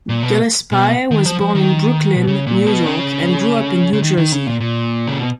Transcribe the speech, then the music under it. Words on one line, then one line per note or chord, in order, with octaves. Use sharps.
Gillespie was born in Brooklyn, New York, and grew up in New Jersey.
A#2
B2
B2
D#3
F3
F3
D#3
B2
C#3
A#2
B2
C#3
C#3
D#3
D#3
C#3
A#2
A#2
C#3
B2